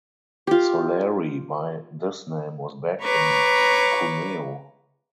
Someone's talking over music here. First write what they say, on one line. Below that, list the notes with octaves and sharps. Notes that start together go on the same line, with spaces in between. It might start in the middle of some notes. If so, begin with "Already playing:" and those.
Soleri by this time was back in Cuneo.
F4 G4
B4 C#5 A#5 C#6 D6